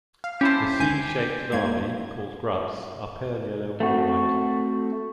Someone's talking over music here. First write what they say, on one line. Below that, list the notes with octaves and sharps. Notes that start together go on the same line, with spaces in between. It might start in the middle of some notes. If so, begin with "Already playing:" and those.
The C-shaped larvae, called grubs, are pale yellow or white.
F5
C#4 E4 G4 C5 A5
C#2 G#5 G6
G#2 A#3 G#6
A3 C4 F#4